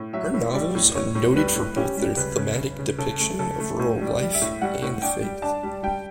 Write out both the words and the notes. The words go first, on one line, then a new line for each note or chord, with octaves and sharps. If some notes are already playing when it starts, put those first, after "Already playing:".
Her novels are noted for both their thematic depiction of rural life and faith.
Already playing: A2
F#3 E5
A2
G3 D5
A2
A2 C#5
A2
G3 B4
A2
C#4 G4
G3
C#3 B4
C#3
C#3
C#3
C#3 A4
A3
C#3 A4
A3
A2
G3
D5
G3
E5
A2
G3 F#5
A2
D4 G5
G3
D4 A5
G3
G3 G5